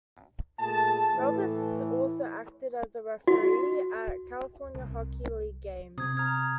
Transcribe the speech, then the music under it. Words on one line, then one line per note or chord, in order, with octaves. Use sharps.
Roberts also acted as a referee at California Hockey League games.
A#2 A3 G#4 A5
A2 E3
F#4
C2
C3 D#6 G#6
A#5 F6 G#6